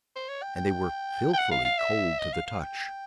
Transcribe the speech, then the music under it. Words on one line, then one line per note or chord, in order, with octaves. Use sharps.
And they were filthily cold to the touch.
C5
C#5
G5
G5
G5
F#5
F5
F5
E5
D#5
F5
F5
G5